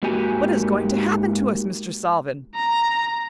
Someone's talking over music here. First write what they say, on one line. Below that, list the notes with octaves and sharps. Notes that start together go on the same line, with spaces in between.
What is going to happen to us, Mr. Salvin?
G#2 A#3 F#4 G4 G#5
A#5